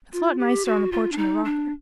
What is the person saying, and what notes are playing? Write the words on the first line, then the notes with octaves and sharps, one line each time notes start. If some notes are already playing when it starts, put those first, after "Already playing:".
It's a lot nicer on the porch in the rocker.
F4
G4
F#4
F4
D4
D#4
D4